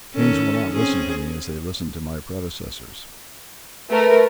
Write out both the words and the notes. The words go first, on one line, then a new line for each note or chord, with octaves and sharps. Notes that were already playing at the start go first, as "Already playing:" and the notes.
Kings will not listen to me as they listened to my predecessors.
D#3 C#4 A4
C4 C#4 G#4
A3 A#4 B4